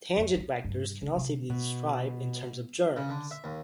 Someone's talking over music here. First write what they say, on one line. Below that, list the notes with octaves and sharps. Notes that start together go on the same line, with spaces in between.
Tangent vectors can also be described in terms of germs.
F2
B3
G2
C#3
C3
B2
C#3
D3
E5
D#2